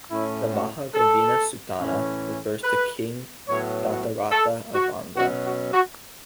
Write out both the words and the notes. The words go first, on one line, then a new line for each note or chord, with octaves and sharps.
The "Mahagovinda Suttanta" refers to king Dhatarattha of Anga.
A2 A3 C#4 E4
F#4
A4
A2 E3 C#4
B4
A2 F#3 B3 C#5
F#4
A4
F#4
B2 F#3 C#4 F#4
F#4
F#4